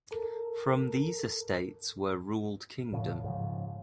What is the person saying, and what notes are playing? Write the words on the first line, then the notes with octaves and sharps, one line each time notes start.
From these estates were ruled kingdom.
A4 A#4
A2 C#3 F3
G#2 C#3 E3 F3